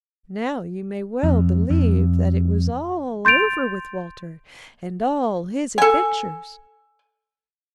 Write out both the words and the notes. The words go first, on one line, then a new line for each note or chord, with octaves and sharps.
Now you may well believe that it was all over with Walter and all his adventures.
F2
F2
C6 G6 A6 D7 F7
A4 G#5